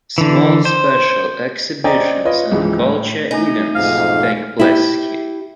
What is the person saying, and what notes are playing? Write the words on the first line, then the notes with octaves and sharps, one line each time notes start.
Small special exhibitions and cultural events take place here.
D3 E3
C5
C4 C#4 D5 D#5 G5 A#5
F4 B4 C#5 D#5
C#2 G#2 E3 F3 G3
A2
A3 D#4 G#5 A#6
B1 F2 G#2 F5
E4 G4